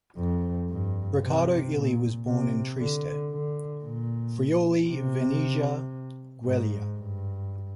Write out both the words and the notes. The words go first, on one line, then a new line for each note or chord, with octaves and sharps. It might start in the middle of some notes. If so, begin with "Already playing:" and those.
Riccardo Illy was born in Trieste, Friuli-Venezia Giulia.
F2
G2
C3
A#2
C3
D3
D3
A#2
C3
G#2
G2